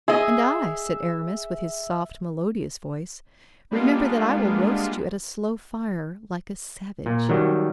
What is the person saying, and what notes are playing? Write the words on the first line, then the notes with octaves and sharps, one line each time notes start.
"And I," said Aramis, with his soft, melodius voice, "remember that I will roast you at a slow fire, like a savage."
G#4 D#5 E5
G3 G#3 A#3 B3 D4 F4
A#2
D#3 F#3 G3